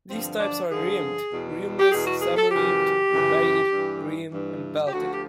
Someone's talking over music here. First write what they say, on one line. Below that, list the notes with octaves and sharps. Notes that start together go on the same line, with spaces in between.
These types are rimmed, rimless, semi-rimmed, rebated rim, and belted.
G2 D3 F3 C4
D4
G2 D3 F3 G#4
E2 B2
G4
E2 B2 G#4
F#4
G#4
A4
F#2 C#3 E3 G4
F#2 C#3 E3
G2 E3
G2 E3
G4
D2 D3 F3 F#4
G4